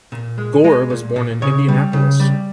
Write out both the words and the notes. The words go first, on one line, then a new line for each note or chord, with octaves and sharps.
Gore was born in Indianapolis.
A#2
G#3
G#3 D#5
A#2
A#2
C#3 C#5
G3
C#3
G3